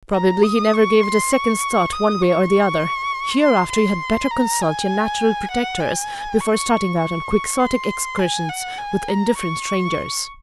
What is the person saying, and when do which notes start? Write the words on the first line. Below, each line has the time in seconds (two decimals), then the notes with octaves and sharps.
"Probably he never gave it a second's thought one way or the other. Hereafter you had better consult your natural protectors before starting out on Quixotic excursions with indifferent strangers."
0.13 A#5
0.43 D#6
0.74 C#6
1.03 C6
1.33 C#6
1.93 D#6
2.22 C#6
3.42 C6
3.71 C6
4.31 A#5
4.61 G#5
5.51 F#5
5.80 G#5
6.41 C#6
7.00 C#6
7.60 C6
8.19 G#5
8.49 F#5
8.79 G#5
9.09 A#5
9.38 C#6